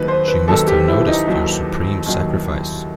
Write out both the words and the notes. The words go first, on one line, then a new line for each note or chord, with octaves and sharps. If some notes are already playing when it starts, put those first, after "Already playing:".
She must have noticed your supreme sacrifice.
Already playing: D#2 D#3 F#3 B4
C5
B4
D#2 D#3 F#3 A4
G4
E4
D#4
D#2 D#3 F#3
D#2 D#3 F#3